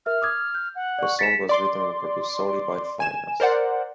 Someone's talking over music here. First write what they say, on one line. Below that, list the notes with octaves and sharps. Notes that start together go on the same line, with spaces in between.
The song was written and produced solely by Finneas.
A#4 E5 F6
D6 D#6 G#6
G6
F#5
D5 C#6
A6 B6 C#7 E7
D5 C6 D6
G#5 E7
A#4 C5 D5 F#5